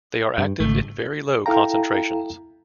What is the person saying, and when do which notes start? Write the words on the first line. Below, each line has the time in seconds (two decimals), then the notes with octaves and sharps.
They are active in very low concentrations.
0.38 G2
0.60 G#1 C#2 A3
1.46 E4 A4 F5 G5 A#5